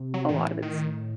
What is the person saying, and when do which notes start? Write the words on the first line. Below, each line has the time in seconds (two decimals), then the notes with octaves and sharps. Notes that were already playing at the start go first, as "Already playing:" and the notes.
a lot of it's,
Already playing: C3
0.14 F#3
0.28 G#2 D#3
0.37 A2 E3
0.62 D#3